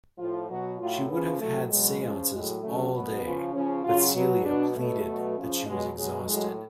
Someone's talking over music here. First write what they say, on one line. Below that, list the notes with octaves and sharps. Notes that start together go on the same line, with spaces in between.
She would have had seances all day, but Celia pleaded that she was exhausted.
A2 F3 F4
B2 F#3 F#4
A2 F#3 F4
C#3 F3 B3
A2 F#3 A3
B2 F#3 G#3
C#3 F3
A2 F#3 G#3
C#3 F#3 A3
B2 F#3 B3
C#3 F3
C#3 F3 C#4
C#3 F#3 F4
B2 F#3
B2 F#3 D4
B2 F#3 A3
B2 F#3
C#3 F3
B2 F#3 G#3
B2 F#3 G#3
A2 F#3 G#3